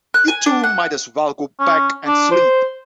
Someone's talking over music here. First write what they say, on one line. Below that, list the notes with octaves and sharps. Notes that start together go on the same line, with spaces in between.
You two might as well go back and sleep.
F#6
G#5
D4
F#5
C#4
D4
C5